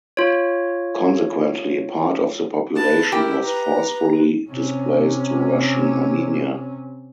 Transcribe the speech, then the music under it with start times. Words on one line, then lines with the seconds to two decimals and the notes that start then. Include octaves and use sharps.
Consequently, part of the population was forcefully displaced to Russian Armenia.
0.17 F4 C#5
2.75 B4 A5
3.12 E4 G4 A#4 G5
3.43 B4 A#5
4.50 C3 C#4